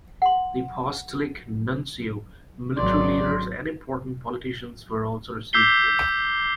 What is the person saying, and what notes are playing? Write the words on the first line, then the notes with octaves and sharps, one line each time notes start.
The Apostolic Nuncio, military leaders and important politicians were also received here.
F#5 C6
G#1 F#3 D5 C6
D6 E6 G6 B6 C7 G7